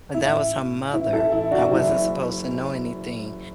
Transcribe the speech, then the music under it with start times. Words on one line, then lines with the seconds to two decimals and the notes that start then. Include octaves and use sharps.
And that was her mother. I wasn't supposed to know anything.
0.14 A1 E4
0.54 A2
0.93 A1 E4
1.13 E4 A4
1.32 E3 E4
1.51 D4 F#4
1.71 F#1 E4